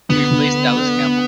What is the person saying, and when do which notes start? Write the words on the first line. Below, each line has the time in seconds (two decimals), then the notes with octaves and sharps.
He replaced Dallas Campbell.
0.10 D2 B3
0.31 D2
0.53 D3
0.75 D3
0.96 D3